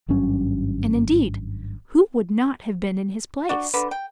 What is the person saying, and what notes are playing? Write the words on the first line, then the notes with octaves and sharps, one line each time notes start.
And indeed who would not have been in his place?
G#1 G2 F#3 C#4
D4 F#4
D3 B4
G5